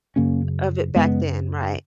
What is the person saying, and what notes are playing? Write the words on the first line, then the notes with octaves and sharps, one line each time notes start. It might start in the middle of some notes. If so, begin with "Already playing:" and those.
Of it back then, right.
F#2 C#3 A#3 C#4
F#2 C#3 G#3 B3